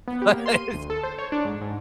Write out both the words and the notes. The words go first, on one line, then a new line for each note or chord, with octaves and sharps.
but it is
B3
G4
A#3
C6
D#7
D2
A4
C5
C#5
D4
G#2
G#2